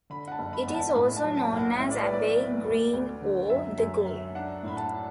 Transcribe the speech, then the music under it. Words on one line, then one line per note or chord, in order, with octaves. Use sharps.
It is also known as Abbey Green or the Gow.
D3 B5
F#5
A5
F#1
B5
E2
A5
A2 B5
A5
F#3
A5
B1
F#5
A2 E5
D5
B4
B3 D5
B3
D2
D2
D3
F#2 E5
F#2
F#2
D4 F#5
A2 B5
A5
D4